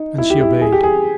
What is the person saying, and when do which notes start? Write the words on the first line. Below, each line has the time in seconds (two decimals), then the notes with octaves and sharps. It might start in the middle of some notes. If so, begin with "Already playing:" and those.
And she obeyed.
Already playing: D#4
0.18 E4
0.30 G4
0.41 E4
0.62 G#4
0.72 G4
0.83 G#4